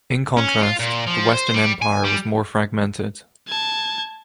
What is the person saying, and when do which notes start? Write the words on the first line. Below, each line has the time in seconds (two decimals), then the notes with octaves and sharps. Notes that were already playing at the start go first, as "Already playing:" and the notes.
In contrast, the Western Empire was more fragmented.
0.37 C#4
0.63 F4
0.79 A#2
1.07 F3
1.33 C5
1.54 G3
1.82 G#5
2.05 G3
3.48 A5 G#6